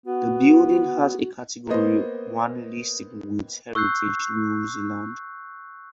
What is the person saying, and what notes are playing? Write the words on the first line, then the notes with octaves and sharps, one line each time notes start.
The building has a Category One listing with Heritage New Zealand.
B3 F#4
A#3 B3 C5 D#5
C#6 E6 F#6 G6 C7